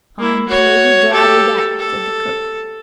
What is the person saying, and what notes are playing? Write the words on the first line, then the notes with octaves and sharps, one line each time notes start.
"I'm plaguy glad o' dat," said the cook.
A#3 E4
F#4 C#5
G4 A4
A4